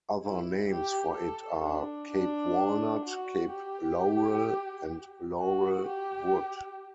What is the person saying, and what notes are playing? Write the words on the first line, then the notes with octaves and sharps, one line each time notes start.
Other names for it are Cape Walnut, Cape laurel, and laurel wood.
E4
G4
A4
D4
D4
F#4
G4
F#4
G4